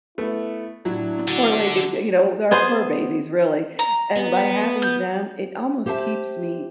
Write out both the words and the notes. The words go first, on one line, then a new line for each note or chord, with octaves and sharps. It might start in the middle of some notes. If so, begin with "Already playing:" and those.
four-legged g you know, they're our fur babies, really and by having them, it almost keeps me
A3 B3 E4
A2 F#3 D4 E4
D3 D4 F#4
B3 G#4 C5
A#5
B3
G6
G4 C5 E5 F#5 A5